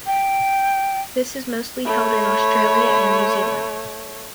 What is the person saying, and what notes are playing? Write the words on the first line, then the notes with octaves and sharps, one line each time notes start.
This is mostly held in Australia and New Zealand.
G5
A3 C#5 B5